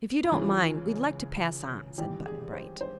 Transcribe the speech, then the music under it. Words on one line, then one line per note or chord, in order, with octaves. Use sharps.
"If you don't mind, we'd like to pass on," said Button-Bright.
E4
C#2 C#3 E3 F4
G#1 G2 E3 G4
G#4
C5
C5